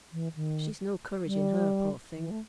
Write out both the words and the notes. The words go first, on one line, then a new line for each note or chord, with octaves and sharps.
She's no courage in her, poor thing!'
E3
D#3
G3
E3
A3